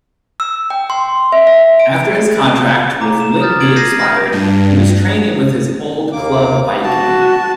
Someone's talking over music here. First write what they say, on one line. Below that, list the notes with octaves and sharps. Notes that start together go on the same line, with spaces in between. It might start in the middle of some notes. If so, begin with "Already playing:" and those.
After his contract with Lyngby expired, he was training with his old club Viking.
E6
G5
C6
E5
E5
D7
A#5 D6
E7
D#6 F6 G6 A6
G#6 D7 F#7
G6 G#6 A#6 C7 D#7
F6 A#6
G2 D4
D#2 A#3 D6
F#4 A5